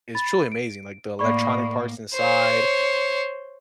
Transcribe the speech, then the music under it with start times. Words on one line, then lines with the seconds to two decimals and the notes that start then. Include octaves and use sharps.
it's truly amazing, like, the electronic parts inside,
0.15 B5 A6
0.52 D7
1.19 A2 A#3 D5 B5 C#6
2.15 C5 C#5